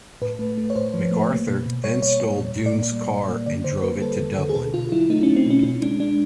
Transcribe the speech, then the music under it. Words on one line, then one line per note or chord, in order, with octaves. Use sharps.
MacArthur then stole Dunne's car and drove it to Dublin.
A2 B4
A3
A3
C#5
A2 C5
F3
A3
A#3
B2
B2
G3 C#5
B2 C#5
G3 C#5
A#2 C#5
A#2
D5
A#3
G3
A#2
A#3
D3 D5
D3 C5
A#3 B4
G3 A4
D3
D3
G#4
B2 A4
B2 F4
F#3 E4
A3 D#4
C#4
A3
C4
B2 C#4
B2 C#4
G#3 D4
G#3 D4